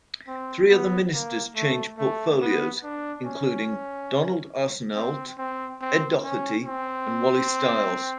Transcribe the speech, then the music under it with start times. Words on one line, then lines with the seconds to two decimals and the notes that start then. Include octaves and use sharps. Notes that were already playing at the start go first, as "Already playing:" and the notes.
Three other ministers changed portfolios, including: Donald Arseneault, Ed Doherty and Wally Stiles.
0.27 C4
0.70 B3
1.13 A#3
1.55 A3
1.98 A3
2.41 B3
2.83 D4
3.25 C#4
4.95 C4
5.38 C4
5.81 C4
6.23 C#4
6.66 C4